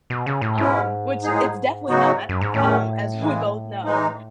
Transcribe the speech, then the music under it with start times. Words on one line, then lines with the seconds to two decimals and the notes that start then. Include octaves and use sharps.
um, which it's definitely not, um, as we both know,
0.10 B2
0.26 C#3
0.41 A2
0.58 G#2 B2 G#3 C#4 E4
1.24 A2 G#3 D#4 G#4
1.88 C#3 F#3 B3 D#4 F#4
2.29 F#2
2.41 G#2
2.54 E2 A2 D#3 A3 C#4
3.19 C#3 E3 G#3
3.85 E3 G#3 D#4